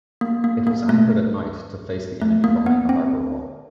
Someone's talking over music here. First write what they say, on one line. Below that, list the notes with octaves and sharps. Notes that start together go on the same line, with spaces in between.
It was anchored at night to face the enemy behind the harbour wall.
A#3
A#3
A#3
A3
A3
A#3
B3
C4